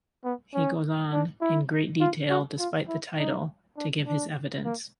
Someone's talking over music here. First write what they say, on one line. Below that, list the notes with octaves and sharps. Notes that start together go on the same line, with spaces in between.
He goes on, in great detail-despite the title-to give his evidence.
B3
C#4
D4
E4
F4
F#4
F4
E4
D#4
D4
D4
A#3